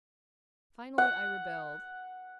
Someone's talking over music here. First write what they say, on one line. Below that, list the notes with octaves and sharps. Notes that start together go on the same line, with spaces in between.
Finally I rebelled.
F#5